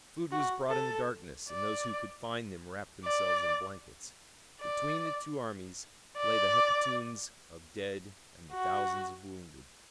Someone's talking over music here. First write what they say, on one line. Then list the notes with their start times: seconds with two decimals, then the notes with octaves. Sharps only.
Food was brought in the darkness, and those who could find them wrapped themselves in blankets. Between the two armies lay the hecatombs of dead and the thousands of wounded.
0.32 F#4
0.70 A4
1.49 D5
3.05 D5
4.62 D5
6.18 D5
8.53 F#4